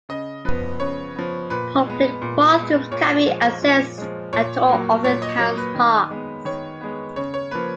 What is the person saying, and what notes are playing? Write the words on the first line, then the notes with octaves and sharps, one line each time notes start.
Public bathrooms can be accessed at all of the town's parks.
C#3 D#5
F3 B3 B4
C#3 C#5
F3 B3
A#2 B4
G#3 B3
A#2
B3
G#3
A#2 C#5
F3 G#3
A#2
F3 G#3
A#2 C#5
F#3 A#3
A#2 C#5
D#5
F#3 A#3 C#5
B4
D#3
G#3 B3
D#3 C#5
G#3 B3
C#3 C#5
C#5
F3 A#3 B4